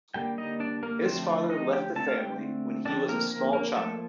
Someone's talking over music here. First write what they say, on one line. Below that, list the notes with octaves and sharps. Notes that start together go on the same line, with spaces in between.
His father left the family when he was a small child.
D3 G3 A#3 G4 G5
D#4 D#5
D4 D5
A#3 A#4
D3 F3 A3 C4 C5
D#4 D#5
G4 G5
D3 A3 C4 A4 A5
F5
G4 G5
D3 F3 A3 C4 D4 D5
A#3 A#4
A#3 A#4
A#3 A#4
F3 A3 A#3 A4